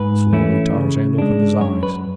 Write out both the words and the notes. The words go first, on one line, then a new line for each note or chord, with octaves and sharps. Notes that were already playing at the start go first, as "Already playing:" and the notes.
Slowly Tarzan opened his eyes.
Already playing: G#2 B4
E3 A3 C#4 E4
C#3
G#3 D4
F#2 C#5
B4